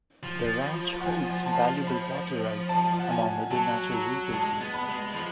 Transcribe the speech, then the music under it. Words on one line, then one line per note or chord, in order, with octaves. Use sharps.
The ranch holds valuable water rights, among other natural resources.
F3
B5
F#5
G#5
A5
B5
A5
F#5
G#5
F#3 A5
F#3
G#3 A5
B3
B5
G#3
F3 B5